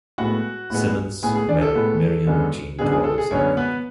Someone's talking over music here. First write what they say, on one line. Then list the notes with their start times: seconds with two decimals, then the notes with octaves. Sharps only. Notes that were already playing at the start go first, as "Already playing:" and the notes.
Simmons married Miriam Jean Torgerson.
0.18 A2 G#3 B3 F#4 F#5
0.70 A2 G#3 B3
1.22 A2 G#3 B3 G#4 G#5
1.36 G#4 G#5
1.48 D4 D5
1.61 A4
1.75 A2 G#3 B3
2.27 F#2 D3 G#3 B3
2.79 F#2 D3 G#3 B3 G#4
2.91 G#4
3.04 A4
3.18 G#4
3.31 F#2 D3 G#3 B3 C#4 C#5
3.57 B3 B4